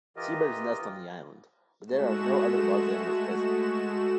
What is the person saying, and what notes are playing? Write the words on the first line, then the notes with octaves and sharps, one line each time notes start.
Seabirds nest on the island, but there are no other large animals present.
E3 F4 G4 A#4 D#5
G#3 A3 F#4 E7